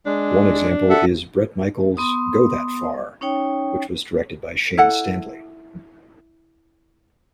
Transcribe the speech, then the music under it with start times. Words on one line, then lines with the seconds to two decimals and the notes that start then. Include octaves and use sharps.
One example is Bret Michaels "Go That Far" which was directed by Shane Stanley.
0.06 G#3 D4
0.90 A4 E5 F#5
1.97 B3 C6 D#6
3.21 C#4 D#4 C#5 G5
4.77 E4 A4 F#5